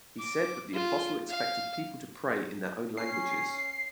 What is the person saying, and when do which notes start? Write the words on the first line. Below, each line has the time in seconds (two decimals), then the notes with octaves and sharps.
He said that the Apostle expected people to pray in their own languages.
0.19 D6
0.74 F4
1.29 F5
2.97 C#4 C7